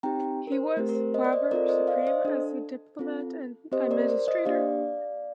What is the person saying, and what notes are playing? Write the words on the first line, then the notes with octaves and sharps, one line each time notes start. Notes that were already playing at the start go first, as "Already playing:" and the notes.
He was, however, supreme as a diplomat and administrator.
C4 D#4 G4 G5 A#5
A#4
C5
A3 C4 G4 A#4
A#4
C5
C5 D#5
D5
C5 D#5
C4 F4 A4 A#4 D5
C5 D#5
D5 F5
C5 D#5
D4 A4
C4 F4 A4
C4 G4 C5 D#5
A#4 D5
C5
C5 D#5
A#3 D4 G4 D5 F5